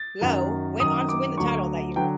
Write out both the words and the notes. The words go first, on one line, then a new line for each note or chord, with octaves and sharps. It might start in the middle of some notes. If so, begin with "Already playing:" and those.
Lowe went on to win the title that year.
Already playing: A6
F#2 D#3 F#3
F#2 D#3 F#3 D#6
D6
D2 D3 F#3 C#6
D3 F#3 G5